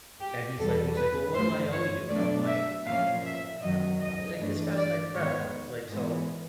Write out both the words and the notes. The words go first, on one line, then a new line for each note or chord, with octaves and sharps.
And, he's like he's like, "Well, what do I owe you?" And I'm like, "I" you know, like, "I don't know," like, this guy's my friend, I was like so,
G4
E2 B2 G3 A4
B4
G2 E3 A3 C5
C#5
B2 F#3 A3 D4 D5
E5
A#2 F3 A#3 C#4 F5
E5
F#2 D#3 F#3 D#5
D#5
G2 E3 A3 D4
D5
G#2 D#3 G#3 B3 C#5
G#2 E3 G#3 B3